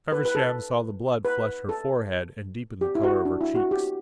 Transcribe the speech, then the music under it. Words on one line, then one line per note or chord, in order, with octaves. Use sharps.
Feversham saw the blood flush her forehead and deepen the colour of her cheeks.
B4
B4
A4
B4
A4
G4
E4
F#4
D4
E4
F#4
G4